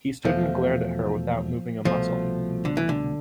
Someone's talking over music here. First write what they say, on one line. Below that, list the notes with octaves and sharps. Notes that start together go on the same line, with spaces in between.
He stood and glared at her without moving a muscle.
E2 B2 F3 A3
C2 B2 F3 A3
D3
E3
D3